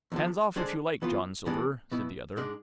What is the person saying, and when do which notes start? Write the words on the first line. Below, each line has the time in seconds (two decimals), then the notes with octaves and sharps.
"Hands off, if you like, John Silver," said the other.
0.12 E2 D3 F3
0.56 D3 G#3 D4 G#4 C5
1.02 E3 B3 F4
1.46 C3 E3 B3 D4 G#4
1.92 B2 B3 E4
2.37 G#2 G#3 D4